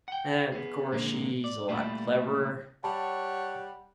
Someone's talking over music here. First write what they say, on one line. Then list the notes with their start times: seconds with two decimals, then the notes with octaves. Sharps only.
And, of course, she's a lot cleverer.
0.08 F#5 G5
0.52 B3 G#4
0.92 A#2 D3 G#3 A#3
1.44 D5
1.69 A#2 G3 A3 E4 F4
2.84 G3 C#5 F#5 A5